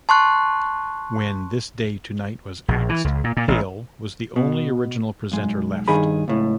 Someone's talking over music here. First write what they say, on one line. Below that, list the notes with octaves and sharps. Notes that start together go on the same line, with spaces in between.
When This Day Tonight was axed, Hale was the only original presenter left.
A5 C6 C#6 F#6
A#1
E3
C#2
A#2
A#2
A1
B2
B1 G#3
G2 D#3 G#4 B5
C#2 A2